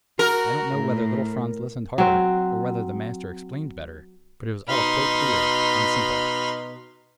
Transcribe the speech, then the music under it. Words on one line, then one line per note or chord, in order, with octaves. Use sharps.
I don't know whether little Franz listened harder, or whether the master explained better; but it was all quite clear, and simple.
F#4 A#4
A2
F#3 C4
B2 D#4 B5 C6 F6